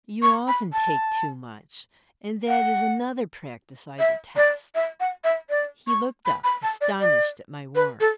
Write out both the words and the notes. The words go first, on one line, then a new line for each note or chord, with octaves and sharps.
'You often take too much; and that is another practice I detest.' He looked up astonished at my warmth.
C#6
B5
A5
F#5
E5
D5
E5
F#5
E5
D5
C#6
B5
B5
A5
D5
D5
B4
A4